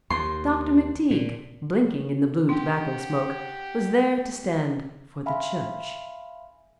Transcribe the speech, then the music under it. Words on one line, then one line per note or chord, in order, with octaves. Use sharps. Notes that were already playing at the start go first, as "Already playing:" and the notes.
Dr. McTeague, blinking in the blue tobacco smoke, was there to stand for the church.
D#2 C6
A#2
D4 G4 F#5
E5 F5 G#5 B5 C6